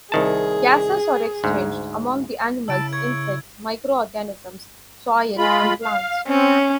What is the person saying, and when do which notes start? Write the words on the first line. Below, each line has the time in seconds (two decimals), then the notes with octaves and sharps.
Gases are exchanged among the animals, insects, micro-organisms, soil and plants.
0.12 C2 D#3 G#4 A5
1.44 D2 G#2
2.68 C#3 E4 A5 E6 D7
2.93 C#6 G#6
5.38 G#3 F4 B5
5.82 F5
6.27 C4 C#4